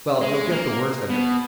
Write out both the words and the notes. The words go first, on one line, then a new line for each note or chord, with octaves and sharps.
Well--you'll get the worst of it.
G#3
A#3
B2